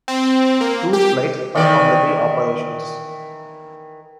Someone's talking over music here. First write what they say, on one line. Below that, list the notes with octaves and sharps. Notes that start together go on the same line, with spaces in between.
Two flights performed the operations.
C4
A#3
G4
D#3 E3 D5